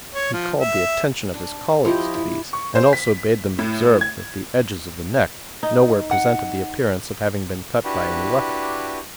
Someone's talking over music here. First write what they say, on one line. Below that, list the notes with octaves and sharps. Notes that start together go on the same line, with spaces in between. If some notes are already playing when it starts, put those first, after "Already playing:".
He called the attention of his colleagues to these, and also bade them observe that the edges of the neck nowhere presented the appearance of having been cut by any weapon.
C#5
F3
E5
D4
F3 E4 G4 D#5
E4
C#6
C5
B6
A2
G#6
D#4
F#5
D4 E4 F#4 G4 B4